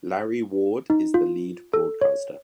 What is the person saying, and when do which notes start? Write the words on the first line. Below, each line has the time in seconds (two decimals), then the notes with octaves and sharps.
Larry Ward is the lead broadcaster.
0.90 D#4
1.14 F4
1.74 A4
2.01 C#5